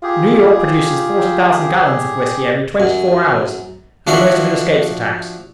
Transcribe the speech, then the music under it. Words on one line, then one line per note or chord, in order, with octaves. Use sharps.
New York produces forty thousand gallons of whiskey every twenty-four hours; and the most of it escapes the tax.
F4 G4 G#4
F#2
F3 D4 F#4 C5 E5 B5